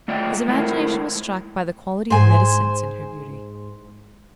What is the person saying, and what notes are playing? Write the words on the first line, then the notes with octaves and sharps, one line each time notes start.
His imagination was struck by the quality of reticence in her beauty.
A3 F4 D5 D#5 G5
G#3 A3 C4 E4 A#4
G#2 C5 G#5